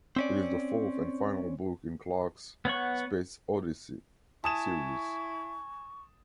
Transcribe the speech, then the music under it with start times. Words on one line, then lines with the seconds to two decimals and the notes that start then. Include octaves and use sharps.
It is the fourth and final book in Clarke's "Space Odyssey" series.
0.16 C4 C#4 D5
2.65 B3 C#5 F#5 C#6
4.44 E4 G#5 A5 C#6 D#6 G#6 E7